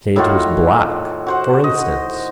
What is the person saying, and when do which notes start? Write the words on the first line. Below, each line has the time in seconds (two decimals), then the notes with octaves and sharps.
Say it was black, for instance.
0.16 A2 D#3 F4 F#4
1.27 F#4 C5 F#5
1.64 D#5